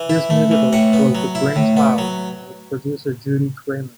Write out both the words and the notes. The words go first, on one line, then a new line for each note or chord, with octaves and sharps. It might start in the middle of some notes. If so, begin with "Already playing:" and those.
This musical was the brainchild of producer Judy Craymer.
Already playing: E3
E4
A3
E3
A2 F#5
B3
F#3
E4
A2
B3
F#3